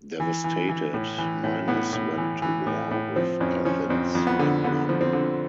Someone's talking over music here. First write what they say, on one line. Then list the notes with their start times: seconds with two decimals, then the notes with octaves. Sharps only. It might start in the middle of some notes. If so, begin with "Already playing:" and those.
Devastated, Minos went to war with Athens and won.
0.20 E3
0.44 E3
0.69 E3
0.94 A2
1.18 E3
1.44 A2
1.68 A2 B3
1.93 A2
2.17 E3
2.42 E3
2.67 A2
2.91 A2
3.16 F3 C4
3.40 F2 C#4
3.65 F3 C#4
3.90 F2 C4
4.15 F2
4.27 B3
4.39 D3
4.64 D3 B3
4.89 F3
5.01 C4
5.13 D3